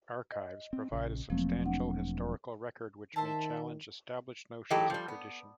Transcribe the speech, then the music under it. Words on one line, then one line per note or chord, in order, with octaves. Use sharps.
Archives provide a substantial historical record which may challenge established notions of tradition.
D#5
C4
A#1 C#3
E1 F3 F#3 A3 A#3 C4
C4 D4 F#5
D#3 C5 E5 A5
E3 F#3 G#3 D#4 G4 A4
F3 G3
B3